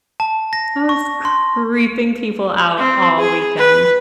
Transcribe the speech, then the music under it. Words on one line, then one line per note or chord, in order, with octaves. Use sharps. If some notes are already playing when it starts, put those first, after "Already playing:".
I was creeping people out all weekend.
A5
A#6
C#6
C6
C4
G#4
B4